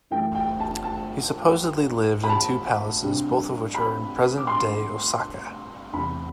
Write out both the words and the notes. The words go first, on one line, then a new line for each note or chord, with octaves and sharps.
He supposedly lived in two palaces both of which are in present-day Osaka.
F#2 E3 A3 E4 G5
G5
A5
A5
B5
A5
C3 G3 D4
B5
D6
C6
E2 C3 E3 B5